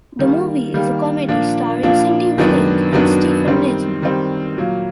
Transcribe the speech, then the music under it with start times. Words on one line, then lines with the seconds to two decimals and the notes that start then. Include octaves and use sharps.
The movie is a comedy starring Cindy Williams and Stephen Nathan.
0.19 D#3 G3 A#3
0.74 D#3 G3 A#3
1.28 A#2 F3 A#3 D4
1.83 A#2 F3 A#3 D4
2.38 F#2 D#3 F#3 B3 D4
2.92 F#2 D#3 F#3 B3 D4
3.47 D#3 G3 C4
4.02 D#3 G3 C4
4.56 A#2 F#3 A#3